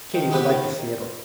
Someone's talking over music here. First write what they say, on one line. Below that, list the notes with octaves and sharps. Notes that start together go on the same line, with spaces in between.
Katy would like to see Italy.
D#3
G#3 B3 G4 B4
D#3